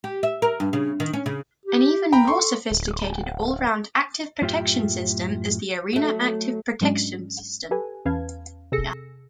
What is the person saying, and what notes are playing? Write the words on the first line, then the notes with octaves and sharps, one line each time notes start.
An even more sophisticated all-round active protection system is the Arena Active Protection System.
G4
E5
A#4
G2
C#3
D#3
C#4
C#3
G4
G5 A#5 B5
A4 C6 C#6
D1
F#2 A2 F4 G4 E5 G5
F#3 A3
G#2 F#3 G#3 C#4 D4
G4 A4 B4 G#5
E2 C#4 B4 F5 A5 G#6
C3 G#4 A4 E6 A#6 C#7